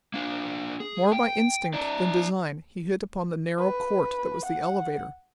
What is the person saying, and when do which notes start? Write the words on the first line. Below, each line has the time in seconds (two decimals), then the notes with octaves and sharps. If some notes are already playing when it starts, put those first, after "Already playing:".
More by instinct than design he hit upon the narrow court that was the elevator.
0.14 A#3 D4
0.80 G#4
1.12 G5
1.74 D#4 D5
3.58 B4
4.45 F#5